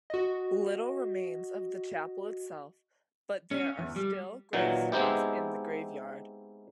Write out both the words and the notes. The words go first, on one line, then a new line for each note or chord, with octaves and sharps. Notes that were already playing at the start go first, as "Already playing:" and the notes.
Little remains of the chapel itself but there are still gravestones in the graveyard.
F#4 D#5
C#4
E2
G3
A#2 D#3 E3 F#3
G#3 B3 C4 D#4 E4 G4